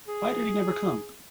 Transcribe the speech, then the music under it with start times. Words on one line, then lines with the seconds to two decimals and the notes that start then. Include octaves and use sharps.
Why did he never come?
0.08 G#4